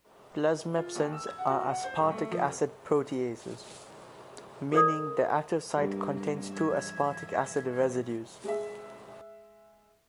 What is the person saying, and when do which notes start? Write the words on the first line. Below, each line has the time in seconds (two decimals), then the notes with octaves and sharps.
Plasmepsins are aspartic acid proteases, meaning their active site contains two aspartic acid residues.
0.78 F4
0.95 D#2
1.13 E6
1.27 G#6
1.38 F#5
1.50 F#4
1.70 F#5
1.84 C5
1.99 D#1
2.11 A3
2.31 F3
2.43 F1
4.72 A4 A#4 C5 D5 D#6
5.76 G2 G3 A#3
6.55 G#2 F3 E5 G#6
8.44 G#3 E5